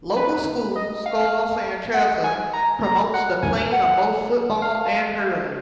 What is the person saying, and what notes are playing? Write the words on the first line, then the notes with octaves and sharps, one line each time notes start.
Local school, Scoil San Treasa, promotes the playing of both football and hurling.
B4
D#5
F5
F#5
G#5
A#5
A#5
F#5
G#5
F#5
F5